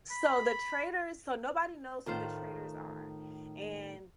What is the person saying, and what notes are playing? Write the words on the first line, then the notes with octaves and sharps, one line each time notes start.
So the traitors so nobody knows who the traitors are, and
B5
A2 D#3 F4 C5